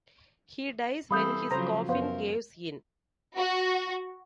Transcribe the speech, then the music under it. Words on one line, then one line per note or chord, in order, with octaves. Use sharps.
He dies when his coffin caves in.
E3 G3 C4 A4 F5 B5 D#6 G6
C#3 F3 F#3 C5 A#5
F#2 B3 A#4 C5 F5
F#4